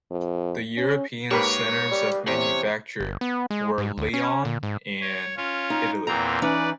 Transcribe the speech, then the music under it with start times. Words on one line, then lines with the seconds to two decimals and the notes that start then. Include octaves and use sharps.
The European centres of manufacture were Lyon and Italy.
0.11 F2
0.77 C#4
1.31 G#2 A#3 G4 A#4 B4 C#5 B5
1.91 G3
2.28 E2 C3 C#5
3.00 G1
3.21 B3
3.50 G#3
3.78 G#2
3.98 D2
4.14 C#4
4.45 A#2
4.63 G#2
5.01 C#5
5.37 C#4 F4 C#5
5.70 D#4
6.07 E2 A#2 C4 A#5
6.42 E3 C#4 D#4 B4 D5